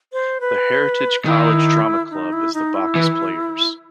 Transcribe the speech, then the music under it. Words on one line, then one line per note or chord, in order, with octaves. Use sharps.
The Heritage College Drama Club is the Bacchus Players.
C5
B4
D#3 E4
D#4
E4
D#4
E4
E3